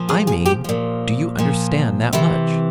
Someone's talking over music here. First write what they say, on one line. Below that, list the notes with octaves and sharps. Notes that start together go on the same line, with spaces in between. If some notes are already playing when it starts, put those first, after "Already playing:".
"I mean, do you understand that much?"
Already playing: A#2 F3
G#4
G#4
G4
A#2 F3
A#2 F3
C3 E3 E4